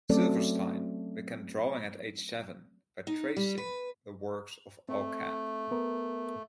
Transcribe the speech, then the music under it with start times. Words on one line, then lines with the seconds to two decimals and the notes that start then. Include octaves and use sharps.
Silverstein began drawing at age seven by tracing the works of Al Capp.
0.10 F#3 A3 C4 C#4 A4 D5
3.07 D#4
3.37 G3
3.58 B4
4.89 A3 C4
5.71 B3 A#4